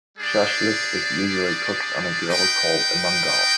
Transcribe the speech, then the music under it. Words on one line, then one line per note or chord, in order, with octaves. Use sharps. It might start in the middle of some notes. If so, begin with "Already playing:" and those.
Shashlik is usually cooked on a grill called a "mangal".
G3 D4 G#4 D5
D#4 B4 D#5 G5